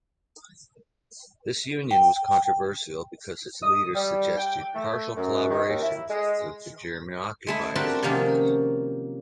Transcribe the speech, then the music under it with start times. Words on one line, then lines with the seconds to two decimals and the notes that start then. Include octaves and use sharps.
This Union was controversial because its leaders suggested partial collaboration with the German occupiers.
1.91 G5
3.63 D#6
3.94 G3
4.37 G5
4.74 A3
5.17 F#2
5.50 D#3
5.67 D#2
5.83 E4
6.09 G#3
7.47 G#3 A3 E4
7.75 A3 C4 D4 F#4 G4 A#4
8.02 C3 D#3 F3 F#3 A#3 C#4